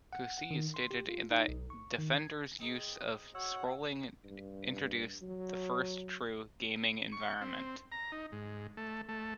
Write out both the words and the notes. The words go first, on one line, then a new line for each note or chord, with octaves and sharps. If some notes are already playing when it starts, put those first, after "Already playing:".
Cuciz stated that "Defender"s use of scrolling introduce the "first true 'gaming environment'".
F#5
F#5
D#3
C6
G4
F4
D#4
B1
C#6
D#3
G#6
C4 D#4 G#4
F#4 C#5 F#5 E6
G2
F#3
C#6
C4
A#5
D#4
G#2
A3
A3